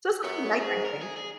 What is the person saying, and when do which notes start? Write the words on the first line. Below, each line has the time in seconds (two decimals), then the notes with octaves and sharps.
Just a little nighttime thing.
0.23 F#2 B3
0.44 F#2
0.54 G#4
0.65 G#2
0.85 A#4
1.01 G#4
1.16 G#4